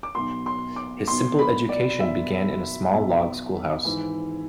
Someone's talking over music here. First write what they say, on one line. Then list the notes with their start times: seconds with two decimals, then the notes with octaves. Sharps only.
His simple education began in a small log schoolhouse.
0.03 D6
0.15 B1 B2 C6
0.46 C6
0.76 D6
1.08 B1 B2 C6
1.39 B5
1.69 D5
2.00 B1 B2 E5
2.92 B1 B2
3.85 G#1 G#2 E3